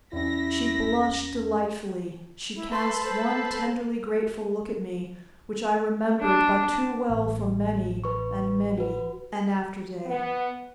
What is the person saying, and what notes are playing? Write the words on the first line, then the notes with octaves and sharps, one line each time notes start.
She blushed delightfully; she cast one tenderly grateful look at me, which I remembered but too well for many and many an after-day.
E2 C#4 E4 G4 A#6 B6
E4
A4 B4 C6
C5
D4
A1
B4 C#6
F#4 B4
B3